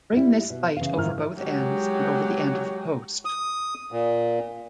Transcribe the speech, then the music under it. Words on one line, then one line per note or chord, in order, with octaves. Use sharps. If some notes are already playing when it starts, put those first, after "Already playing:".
Bring this bight over both ends and over the end of the post.
G3 E4
B2
C#3 E3 F5
G#2 D#3 E4 F6
D#3 F#3 G#3 F#4 G4
D#6
A#2